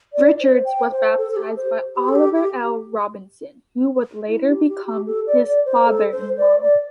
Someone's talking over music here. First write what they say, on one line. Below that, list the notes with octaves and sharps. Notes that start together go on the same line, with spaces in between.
Richards was baptized by Oliver L. Robinson, who would later become his father-in-law.
D5
C5
G5
C5
A4
A4
G4
C5
G4
A4
G4
G4
E4
G4
G4
G4
A4
D5
D5
C5
A4
C5
D5
D5